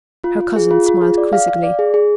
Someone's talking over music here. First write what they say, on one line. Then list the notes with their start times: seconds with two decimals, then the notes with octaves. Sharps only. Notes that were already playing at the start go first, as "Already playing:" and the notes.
Her cousin smiled quizzically.
0.24 F4
0.41 F4
0.56 G#4
0.71 F4
0.87 F4
1.01 G#4
1.18 D5
1.33 F5
1.48 F5
1.63 D5
1.79 G#4
1.94 G#4